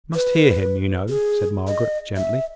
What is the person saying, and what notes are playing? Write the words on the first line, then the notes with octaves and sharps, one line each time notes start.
"I must hear him, you know," said Margaret, gently.
B4
G#4
D#5
E5